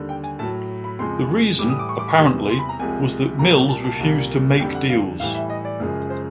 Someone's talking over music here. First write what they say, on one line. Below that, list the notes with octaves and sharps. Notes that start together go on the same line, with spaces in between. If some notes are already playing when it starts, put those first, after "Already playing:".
The reason, apparently, was that Mills refused to make deals.
Already playing: D#2 D3 G3
G5
G#5
A2 F#3 A5
B5
F2 C#3 F3 G#3 C6
A2 E3 G3 D6
D#6
D6
C#6
D6
C#6
E2 C3 E3 G3
C6
B5
A#5
C2 C3 F3 G#3 G#5
C2 A#2 G3 A#5
A5
A5
C2 A#2 G3
F2 D3 G3 G5
F#5
F5
A2 E3 G3 F5
E5
D#5
D5
F#2 C#3 F3 G#3
C5